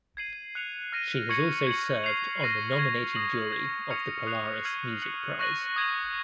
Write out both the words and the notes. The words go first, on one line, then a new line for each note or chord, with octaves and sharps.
She has also served on the nominating jury of the Polaris Music Prize.
G#6 C7 D#7 F#7
F#6 C#7 F7
F6 A#6 D#7
C#6 G#6 C#7 F#7
G#6 C#7 F#7
F6 C7 F7
F6 A#6 D#7 F#7
C#6 G#6 C7 D#7 F#7
D#6 A#6 D#7 F#7
G#6 D#7 F#7
C#6 F6 G#6 C#7 F7
D#6 F#6 C7 F7
F6 G#6 C7 D#7 F#7
F#6 C#7 F#7
C#6 F#6 A#6 D#7 F#7
D#6 G#6 D#7 F#7